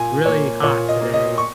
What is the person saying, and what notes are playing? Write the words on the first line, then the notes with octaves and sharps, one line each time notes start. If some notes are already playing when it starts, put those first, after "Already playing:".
really hot today
Already playing: A#2 G#5
A#3 C#5
A#2 C#5
D#5
A#3
D#5
C#6